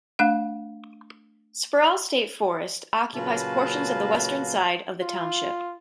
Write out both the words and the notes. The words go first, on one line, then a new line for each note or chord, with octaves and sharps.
Sproul State Forest occupies portions of the western side of the township.
A3 D4 F5
A#2 C#3 F#3 B4 F5 A5
F4